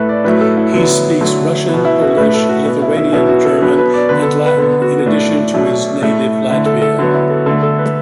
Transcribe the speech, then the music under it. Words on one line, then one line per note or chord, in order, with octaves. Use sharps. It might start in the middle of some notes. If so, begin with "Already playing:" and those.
He speaks Russian, Polish, Lithuanian, German and Latin in addition to his native Latvian.
Already playing: A2 A3 A4 B4
D5
A2 F#3 A3 B4
A4
E4
D3 F#3 B3
D3 F#3 A3
B3
B2
E4
F#4
A2 A3 B4
A4
F#4
B2 B3
E4
E4
B2 F#3 B3 E4
F#4
A4
B2 F#3 B3 B4
B4
D5
D3 B3 B4
A4
B4
D3 B3 A4
F#4
A2 A3 D4
B2 F#3 A3
A2 A3
D3 A3 E4
A4
A4
D3 F#3 B3 F#4
E4
A4
D3 A3 A4
A4
B4